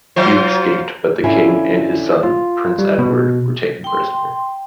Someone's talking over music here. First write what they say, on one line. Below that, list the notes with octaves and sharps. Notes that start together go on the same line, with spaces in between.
Hugh escaped but the King and his son, Prince Edward, were taken prisoner.
F#3 F4 C5
D3 C#4 E4 F4 G#5
F4
G3
B2
G5 C6